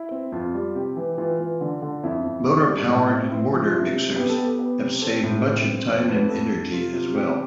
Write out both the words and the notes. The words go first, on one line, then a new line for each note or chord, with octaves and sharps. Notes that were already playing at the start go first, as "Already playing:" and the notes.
Motor powered mortar mixers have saved much in time and energy as well.
Already playing: E4
C4
F2 F4
G3
C3 G4
E3
E3 F4
E3
D3
D3
F2 E4
F2
C4
G3
A2
C4
C4 E4
F3
F4
C3 E4
C3
B3 G4
A4
B3 G4
B3
C3
C4 A4
A2
C4
C4
F2 C5
F2 B4
F2 A4
F2
C3 F4
C3
C4 G4